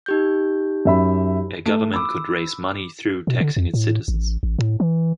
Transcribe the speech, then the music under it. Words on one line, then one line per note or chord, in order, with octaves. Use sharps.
A government could raise money through taxing its citizens.
D#4 G4 G6
F#2 E5 B5
A3
B5 D6 E6
B2
D3
F2
A2
A1
A1
A2
E3